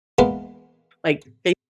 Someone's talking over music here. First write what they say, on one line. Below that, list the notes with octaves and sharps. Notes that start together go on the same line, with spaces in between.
like, they
E3 G#3 A#3 B3